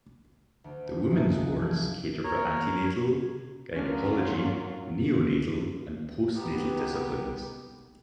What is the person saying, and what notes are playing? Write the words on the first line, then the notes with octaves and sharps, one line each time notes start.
The women's wards cater for antenatal, gynaecology, neonatal, and postnatal disciplines.
D2
B6
C2 F#2 F3 D#4
F#6
E3 F3 G3 E4
A#4 C#5
F#3 C#4 D4 F4 A#4
B3 D#4 G4